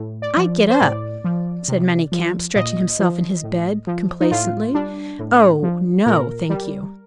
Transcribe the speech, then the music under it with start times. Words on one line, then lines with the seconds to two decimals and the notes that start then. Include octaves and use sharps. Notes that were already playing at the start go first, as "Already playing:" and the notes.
"I get up!" said Manicamp, stretching himself in his bed, complacently, "oh, no, thank you!"
Already playing: A2
0.22 D5
0.37 F3
0.70 C5
0.81 A2 D5
1.24 F3
1.68 C3
2.12 F3
2.56 A#2 D#5
2.99 F3
3.43 A2
3.87 F3
4.21 D#4
4.31 A2 F4
4.74 G3 D4
5.19 A2
5.63 F3
6.06 A#2 A#4
6.50 G3